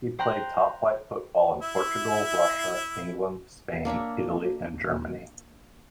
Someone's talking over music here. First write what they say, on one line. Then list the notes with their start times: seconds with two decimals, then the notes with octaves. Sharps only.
He played top flight football in Portugal, Russia, England, Spain, Italy and Germany.
0.19 C5 G5 A#5 C6 F#6
1.62 E4 E5
3.85 A#3 D4 C#5 E5